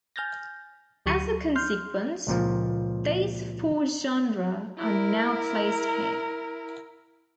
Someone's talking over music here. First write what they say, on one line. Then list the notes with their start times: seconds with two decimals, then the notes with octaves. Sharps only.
As a consequence, these four genera are now placed here.
0.16 G#5 F6 G6 A6 A#6
1.06 D2 F#3 G4 C#6 C#7 D#7
1.56 C6 F6 G6
2.27 C#2 A#2 F3
4.78 E4 A#4